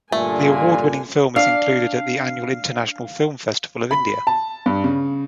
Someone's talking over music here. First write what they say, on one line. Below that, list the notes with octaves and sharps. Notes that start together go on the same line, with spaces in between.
The award winning film is included at the annual International Film Festival of India.
G2 A#2 D3 A3 G#5
D4 F5
B5
A5
G2
C#3